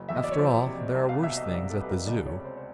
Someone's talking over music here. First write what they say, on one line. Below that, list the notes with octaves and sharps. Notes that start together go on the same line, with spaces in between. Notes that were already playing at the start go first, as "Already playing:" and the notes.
After all, there are worse things at the Zoo.'
Already playing: F#1 F#3
E2 E5
D#5
D5
C#5
F3 C5
C3
C2
F5
B2 E5
D#5
C2 D5
A4
G3 B4
A#4
C#2 D5
C#5
C3
C5
C5